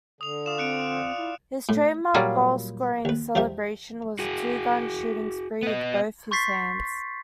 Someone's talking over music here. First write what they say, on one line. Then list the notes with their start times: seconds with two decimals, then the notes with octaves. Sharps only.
His trademark goal-scoring celebration was a two-gun shooting spree with both his hands.
0.21 D3 D#6 F7
0.46 F4 D5 F5 D#6 E7
0.58 C4 F#6 C#7 D7
1.17 E4
1.69 A2
2.14 A#2 F#3 G3 F4
3.05 D#2 B4
3.35 E2 F3 G3 C5 E5
4.19 F#4 G#4
5.63 B3 D#5
6.31 C6 C#6 G6 A6 B6 C7